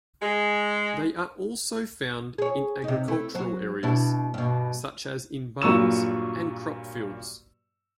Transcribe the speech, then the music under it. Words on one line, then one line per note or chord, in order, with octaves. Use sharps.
They are also found in agricultural areas, such as in barns and crop fields.
G#3
G#4 C#5
C3 D#4
A3 E4
F#3 C5
B2 D4 E4
G2 B2
G2 A#2 F#3 C#6 E6 E7